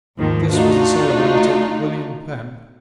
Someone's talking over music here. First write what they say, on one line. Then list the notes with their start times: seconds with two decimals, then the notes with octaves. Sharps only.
This was the celebrated William Penn.
0.18 D#2 G#2 D#3 F3
0.51 A3 D4 D#4 F4 F#4